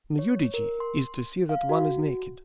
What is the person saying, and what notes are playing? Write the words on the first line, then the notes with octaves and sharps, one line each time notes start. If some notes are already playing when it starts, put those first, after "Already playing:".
Nudity is to see that one is naked.
C#5
A#4
C6
F5
F#4